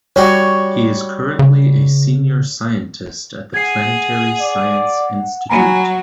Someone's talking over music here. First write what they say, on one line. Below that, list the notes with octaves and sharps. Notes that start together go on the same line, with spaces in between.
He is currently a senior scientist at the Planetary Science Institute.
G3 F#4 C#5
C#3
G#4 F#5 G#6 C7
D5
F#3 F#5 G#5 A#5 B5